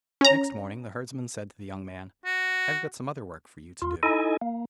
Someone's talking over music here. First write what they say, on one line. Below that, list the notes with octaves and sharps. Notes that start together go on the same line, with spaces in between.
Next morning the herdsman said to the young man: 'I have got some other work for you to do.
C#4 A#5
F#4
E2 F4
D#4 E4 A4 D#5 G#5
A#3